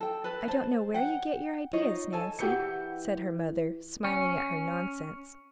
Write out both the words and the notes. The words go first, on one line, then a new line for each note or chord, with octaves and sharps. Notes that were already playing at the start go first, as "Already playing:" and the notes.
"I don't know where you get your ideas, Nancy," said her mother, smiling at her nonsense.
A4 G5
B4 A5
C5 A5
F#5 G5
D#4 F4 C#5 D#5
A4 G#5 A5
E3 E4 F#4 G4 G6 C#7
C#4